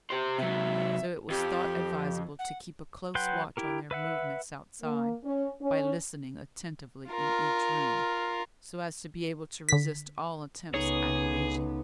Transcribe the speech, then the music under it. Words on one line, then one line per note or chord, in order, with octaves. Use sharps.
So it was thought advisable to keep a close watch on their movements outside, by listening attentively in each room, so as to be able to resist all attempts at invasion.
G4 C5
C3 F#3 E5
F2 G4
F#5
F#3 B4 F#5 G5 C6
E4 G4 A#4
B4 E5 F#5
A#3
C#4
C#4
F4 A#4
D3 B6
C#2 B3 D#4 G#4 A4 C#5